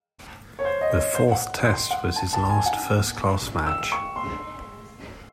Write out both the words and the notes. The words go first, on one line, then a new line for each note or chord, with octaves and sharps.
The Fourth Test was his last first-class match.
C#5
C5
D#5
C#5
C5
F#5
C6
F#5
A5
A5
G#5
F#5
E6
C#6
C6